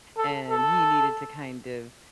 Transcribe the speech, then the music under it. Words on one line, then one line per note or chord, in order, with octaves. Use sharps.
and he needed to kind of
A4
A4